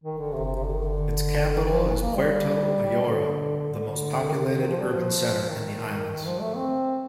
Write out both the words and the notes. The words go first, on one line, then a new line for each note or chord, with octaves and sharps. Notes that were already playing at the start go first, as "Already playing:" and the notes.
Its capital is Puerto Ayora, the most populated urban centre in the islands.
D#3
D3
C3
C3
C3
D3
D#3
D3
D#3
F3
A#3
G3
D3
D3
D#3
D3
D#3
F3
G3
F3
D#3
D#3
F3
A3
C4